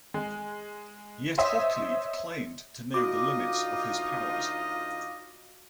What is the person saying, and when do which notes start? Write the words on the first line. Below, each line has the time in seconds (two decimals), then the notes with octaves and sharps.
Yet Hoccleve claimed to know the limits of his powers.
0.14 G#3
1.38 C5 C#5 D#5 E5 C6
2.94 D2 D#4 F4 F#4 D#5 D6